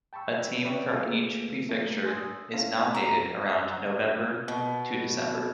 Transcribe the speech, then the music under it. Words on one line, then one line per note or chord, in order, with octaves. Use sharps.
A team from each prefecture is nominated around November-December.
G5 A5 B5 C#6 E6
B4 C#5 D5 E5 G5 C#6
A3 A#3 F4 G#4 A4 B4
A3 A#3
G#5 C6 D#6 E6
C#4 E4 C5 F5 A5
A#5
B2